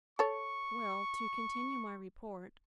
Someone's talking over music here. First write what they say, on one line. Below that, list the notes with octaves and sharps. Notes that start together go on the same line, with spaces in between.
Well, to continue my report.
A4 C#5 C#6